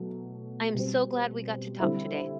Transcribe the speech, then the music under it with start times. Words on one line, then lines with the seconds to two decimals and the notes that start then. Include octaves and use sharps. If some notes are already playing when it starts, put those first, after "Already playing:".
I'm so glad we got to talk today.
Already playing: B2 F#3 A3
0.74 B2 G3 C4
1.80 D3 G3 C4 E4